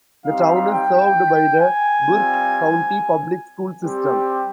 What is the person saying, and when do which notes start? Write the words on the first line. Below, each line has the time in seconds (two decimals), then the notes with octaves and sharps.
The town is served by the Burke County Public Schools system.
0.24 G3 C4 D#4 G4 F5
0.69 G5
1.58 G#5
2.03 G3 C4 F4
3.82 G3 C4 G4